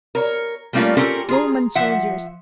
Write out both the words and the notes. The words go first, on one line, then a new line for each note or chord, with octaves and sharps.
Roman soldiers!
A#4 C#5
G3 A3 A#3 C#4 F4 A#4
C4 C#4 F4 G4 A4 A#4
F4 G#4 A#5
F3 E5 F#5